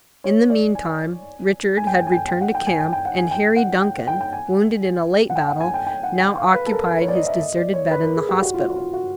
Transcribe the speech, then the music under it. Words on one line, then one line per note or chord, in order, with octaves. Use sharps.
In the meantime Richard had returned to camp, and Harry Duncan, wounded in a late battle, now occupied his deserted bed in the hospital.
C#5
D5
G#5
G#5
G5
G#5
G#5
G5
G5
F#5
G5
G#5
G5
G5
F#5
G#5
G5
F#5
G5
G5
G5
G#5
F#5
G5
F#5
G#5
G5
G5
F#5
G5
F5
B4
A4
A#4
B4
C#5
D5
D#5
E5
D#5
D5
C#5
B4
A#4
G#4
G4
F#4
F4
F#4
F4
F#4